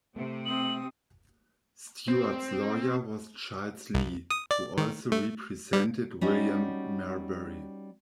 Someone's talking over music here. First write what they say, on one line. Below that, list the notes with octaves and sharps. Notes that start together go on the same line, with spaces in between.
Stuart's lawyer was Charles Lee, who also represented William Marbury.
C3 A3
C4 D#6 F#7
C4
C2
D#6
D5
D#3
A3
G3
G3 C#4 D#4 F#4